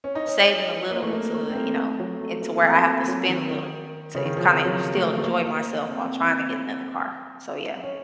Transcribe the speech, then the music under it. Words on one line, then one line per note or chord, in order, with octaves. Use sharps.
saving a little to, you know into where I have to spend a little to en kinda en still enjoy myself while trying to get another car. So, yeah.
C#4
D#4
C#4
A#3
A3
A#3
A3
C4
A#3
A3
F#3
A3
A#3
C4
A#3
F#3
D#3
D#3
C#3
D#3
F3
F3
F#3
A3
A3
A#3
A#3
C4
C#4